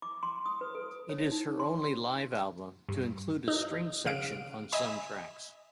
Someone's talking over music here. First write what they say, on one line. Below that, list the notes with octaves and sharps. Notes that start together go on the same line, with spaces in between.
It is her only live album to include a string section on some tracks.
D6
C6
D#6
B4
A4
C#5
D#4
C6
G2
D#4
C#3 F5 D7
D#5 E5 G#5 B5